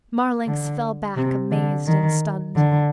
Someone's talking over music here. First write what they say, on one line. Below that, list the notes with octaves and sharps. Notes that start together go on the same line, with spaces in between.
Marlanx fell back amazed and stunned.
D3
C3
D3
D#3
D3